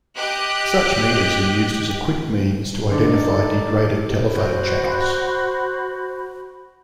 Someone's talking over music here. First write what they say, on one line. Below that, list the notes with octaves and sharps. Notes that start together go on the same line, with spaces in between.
Such meters are used as a quick means to identify degraded telephone channels.
G4 D#5 F#6
D3 D#4 A4 D5
F#4 C5 B5